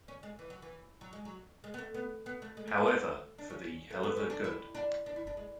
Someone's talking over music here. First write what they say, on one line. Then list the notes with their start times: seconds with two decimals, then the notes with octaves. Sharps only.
However, for the Heluva Good!
0.08 C#4
0.23 G#3
0.39 E3
0.50 F#3
0.62 E3
1.01 F#3
1.13 G#3
1.25 F#3
1.64 G#3
1.74 B3
1.78 A3
1.94 B3
2.26 B3
2.42 A3
2.57 G#3
2.68 A3
2.78 B3
2.88 B3
3.38 D4
3.50 C#4
3.90 A3
4.03 B3
4.17 C#4
4.30 D4
4.44 E4
4.75 D4
5.06 D4
5.16 E4
5.27 D4
5.37 G#3